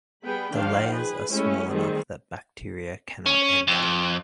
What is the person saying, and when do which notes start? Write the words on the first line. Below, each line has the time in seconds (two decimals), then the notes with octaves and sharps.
The layers are small enough that bacteria cannot enter.
0.23 G3 B3 G#4 G5 B5
0.55 D#3 F3 D4 F5 G5
0.93 G#4 B4
1.31 G#3 A3 C#4 E4 G4
1.70 D#3 G3 A3 C4 G#4
3.26 C#4
3.68 F2